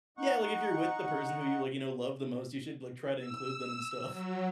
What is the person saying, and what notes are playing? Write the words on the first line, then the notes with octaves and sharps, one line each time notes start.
Yeah, like if you're with the person who you like, you know, love the most, you should, like, try to include them and stuff.
D#4 F#5 C#6
E6
F#3